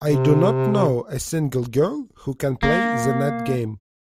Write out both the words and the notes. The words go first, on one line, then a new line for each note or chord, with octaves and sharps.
I do not know a single girl who can play the net game.
C3
A#3